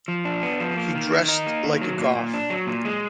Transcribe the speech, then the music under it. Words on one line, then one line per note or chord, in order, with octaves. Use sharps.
He dressed like a Goth.
F3
D4
B3
F3
A#3
D#3
D#3
D#4
A#3
D#3
F#3
A#2
A#2
D4
F#3
A#2
G#3